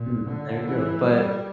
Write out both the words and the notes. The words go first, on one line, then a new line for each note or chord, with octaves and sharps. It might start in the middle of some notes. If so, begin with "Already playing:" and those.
mm, there you go, but
Already playing: A#2
D3
E3
G3